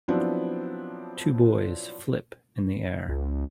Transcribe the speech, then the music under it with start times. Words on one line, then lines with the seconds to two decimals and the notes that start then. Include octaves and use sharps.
Two boys flip in the air.
0.08 F3 F#3 B3 C4 D4 E4
3.09 C#2